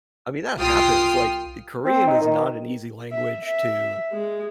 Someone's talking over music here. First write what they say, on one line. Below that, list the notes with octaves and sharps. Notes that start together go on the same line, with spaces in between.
I mean, that happens, like, Korean is not an easy language to
C2 F4 G5 D#6 F6 C7
C4
D#4
D#3
E5
E5
G#3